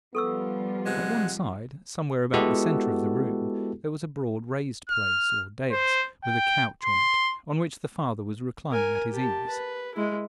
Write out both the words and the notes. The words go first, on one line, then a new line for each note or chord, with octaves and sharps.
At one side, somewhere about the center of the room, there was a broad raised place, or dais, with a couch on it, on which the father was reclining at his ease.
F3 G3 B3 F4 A4 C#6 E6
C3 G#3 F#5
G#3 B3 E4 F#4 G4 A4
F6
C5
G5
C6
A#4 G#5
G4 A5
B4
G#3 E4